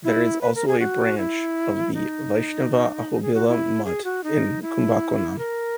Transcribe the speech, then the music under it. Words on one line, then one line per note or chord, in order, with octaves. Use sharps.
There is also a branch of the Vaishnava Ahobila mutt in Kumbakonam.
E4
B4
A#4
G#4
F#4
E4
D#4
G#4
F#4
E4
G#4
F#4
D#4
E4
A#4